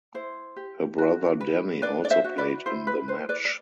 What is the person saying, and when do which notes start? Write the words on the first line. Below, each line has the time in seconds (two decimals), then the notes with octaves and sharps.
Her brother Danny also played in the match.
0.14 E4 C5
0.56 G4
0.98 F#4
1.41 B4
1.82 D4 B4 D5
2.05 D5
2.10 C5 E5
2.24 F#4
2.38 B4 D5
2.66 E4 C5
2.87 B4
3.08 B4 C5
3.29 B4 D5
3.45 D5